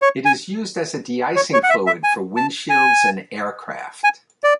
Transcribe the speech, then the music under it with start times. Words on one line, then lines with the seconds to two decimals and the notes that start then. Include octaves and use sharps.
It is used as a de-icing fluid for windshields and aircraft.
0.02 C#5
0.25 G#5
1.36 C#5
1.53 C#5
1.63 F#5
1.70 E5
1.87 E5
2.04 G#5
2.37 A5
2.69 G#5
4.04 G#5
4.44 D5